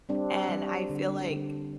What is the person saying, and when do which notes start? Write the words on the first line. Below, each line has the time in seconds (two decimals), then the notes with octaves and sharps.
and I feel like
0.09 G3 C4 D4
0.49 G3
0.90 D3
1.30 D3